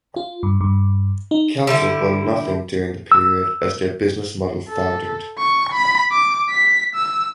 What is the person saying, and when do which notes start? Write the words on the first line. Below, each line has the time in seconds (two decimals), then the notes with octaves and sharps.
Celtic won nothing during the period as their business model foundered.
0.16 F4
0.43 G2
0.61 G2
1.31 D#4
1.67 D3 G3 E4
3.12 E6
4.69 A4
5.38 C#6
5.74 B5
6.11 D6
6.50 B6
6.95 E6